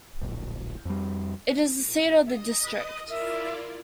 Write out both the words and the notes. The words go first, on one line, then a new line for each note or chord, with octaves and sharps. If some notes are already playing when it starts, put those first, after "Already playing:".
It is the seat of the district.
D1 A#1
F2 G3
D#5 D#6
E4 F4 A#4 D5 E5